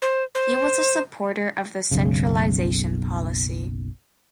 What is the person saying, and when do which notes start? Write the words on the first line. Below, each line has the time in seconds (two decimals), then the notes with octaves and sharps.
He was a supporter of centralization policy.
0.02 C5
0.35 C5
1.91 F#1 B1 C#3